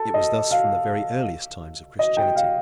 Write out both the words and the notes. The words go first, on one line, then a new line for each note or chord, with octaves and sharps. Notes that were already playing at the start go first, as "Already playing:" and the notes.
It was thus from the very earliest times of Christianity.
Already playing: A4
D#5
F5
D#5
G5
F5